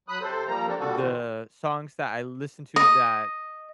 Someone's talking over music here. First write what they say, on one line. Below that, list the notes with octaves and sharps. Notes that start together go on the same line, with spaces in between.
The songs that I listen to that
F#3 B5 D#6 F#6
C3 A4 C5
F3 G3 A#3 A#5
C4 D4 A4
A#2 D3 G3 F#4 A4
E2 A#2 C4
D#5